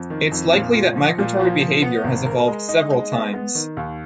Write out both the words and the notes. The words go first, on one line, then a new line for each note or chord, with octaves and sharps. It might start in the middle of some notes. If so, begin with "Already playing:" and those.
It is likely that migratory behaviour has evolved several times.
Already playing: F2
D#3
F2
A#2
F4
F3
A#2
F3
F3
B3
G#1
A#4
G#3
D#4
G#3
B3
B3
D#3
D#2